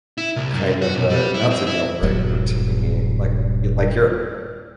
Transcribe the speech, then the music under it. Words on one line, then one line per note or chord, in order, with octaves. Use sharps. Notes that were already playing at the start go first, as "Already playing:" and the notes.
I'm kind of a that's a deal breaker to me, like like you're
E4
C2
F#2
F#4
B1
G3
E4
C4
E4
D#1 G2 F#3